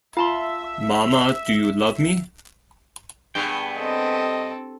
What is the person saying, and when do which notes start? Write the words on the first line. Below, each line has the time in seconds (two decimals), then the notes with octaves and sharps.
Mama, Do You Love Me?
0.17 F4 E5 F5 A5 C6
3.35 G2 B3 G#4 G5
3.77 C4 A4 D#5